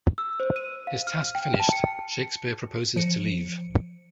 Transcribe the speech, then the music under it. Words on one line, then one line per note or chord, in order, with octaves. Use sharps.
His task finished, Shakespeare proposes to leave.
E6
C5
D#7
F5
F6
G5
A5
C#7
F3 C#7